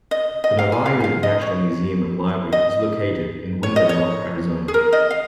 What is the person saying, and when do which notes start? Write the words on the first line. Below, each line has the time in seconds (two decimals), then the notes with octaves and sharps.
The Navajo Nation Museum and Library is located in Window Rock, Arizona.
0.11 D#5
0.44 D#5
0.59 F5
0.72 G#5
0.86 F5
1.00 G#5
1.04 F5
1.23 D#5
1.41 C#5
2.53 D#5
3.63 C#5
3.76 D#5
3.89 C#5
4.68 G#4
4.74 A#4
4.93 D#5
5.11 F5